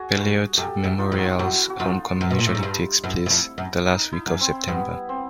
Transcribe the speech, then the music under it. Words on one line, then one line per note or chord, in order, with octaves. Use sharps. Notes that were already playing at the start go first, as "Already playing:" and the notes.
Beloit Memorial's homecoming usually takes place the last week of September.
Already playing: F#4 G#4
G2
F#2 G4 A4
F#2
D#4 F4
F2
D#4 F4
F#2 E4 F#4
F#4
F#2 D#4 F4
F#2
B2
A#2
A2
G#2
G2
F#2 E4
F#2
F2
F#2
D#4
E4
F#2
C4
G2 B3
C4